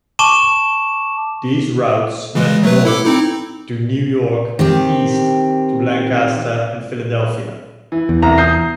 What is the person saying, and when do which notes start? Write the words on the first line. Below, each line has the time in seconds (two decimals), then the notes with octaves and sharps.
These routes led north to New York and east to Lancaster and Philadelphia.
0.19 A5 C#6 D6 E7
2.35 C#3 E3 G#3
2.63 F#3 A3 B4
2.85 E4 A4 D6
3.05 C4 D#4 E4
4.59 D#3 C4 G4
7.92 E3
8.09 E2
8.22 C2 A#5
8.38 D#6 G6 C7